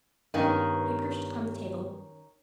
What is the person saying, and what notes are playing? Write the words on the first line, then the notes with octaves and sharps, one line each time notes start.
He perched upon the table.
G2 D#3 A#3 B3 C#4 D4